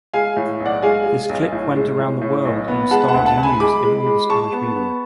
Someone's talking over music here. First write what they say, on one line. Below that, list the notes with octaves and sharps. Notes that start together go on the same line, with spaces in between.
This clip went around the world and starred news in all the Spanish media.
G#3 F5 G#5
A2
B1
D5 F#5
G#3 F5 G#5
G#3
B1
A2
G#3
A2
A2
B1
B3
G#3 F#5 A5
F#5 A5
D2
F#5 A5
D2
G#5 B5
G#3 B5 D6
G#3
G#3
G#3 A5 C#6
B3
B3